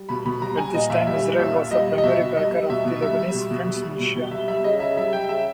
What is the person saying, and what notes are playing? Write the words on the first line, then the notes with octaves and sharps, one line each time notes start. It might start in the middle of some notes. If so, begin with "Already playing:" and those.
At this time, Israel was the primary backer of the Lebanese Front's militia.
Already playing: G3
B2 B5
B2 B5
G3 A#5
G3 G#5
A#2 D#5
A#2 E5
G3 E5
G3
A#2 E5
A#2
G3 D#5
G3
D#5
B2 E5
B2
G3 D#5
G3
B2 E5
B2
G3 E5
G3
B2
B2
G3
G3
B2
B2
G3 E5
G3 E5
C#3 D#5
C#3 E5
G3 E5
G3 G5
C#3 E5